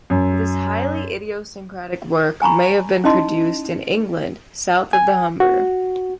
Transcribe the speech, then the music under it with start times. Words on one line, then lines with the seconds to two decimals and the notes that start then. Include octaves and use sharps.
This highly idiosyncratic work may have been produced in England south of the Humber.
0.10 F#2
2.42 G#5 A#5 B5 C#6
3.04 C#4 D#4 E4 D#5 A5 C6
4.93 G#5
5.40 F#4